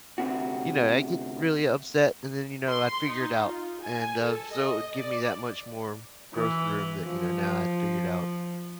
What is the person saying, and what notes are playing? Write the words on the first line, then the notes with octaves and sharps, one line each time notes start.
you know, I get really upset, and then, you know, I'd figure it out, and, um, so it would give me that much more growth room that, you know, now I figured out
D2 C3 F#4
C6
D#4
F4
G#5
A4
D#5
D5
E3
F3